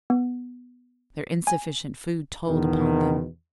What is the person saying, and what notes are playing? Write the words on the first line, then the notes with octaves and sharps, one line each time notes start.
Their insufficient food told upon them.
B3
G#5
E2 B2 D#3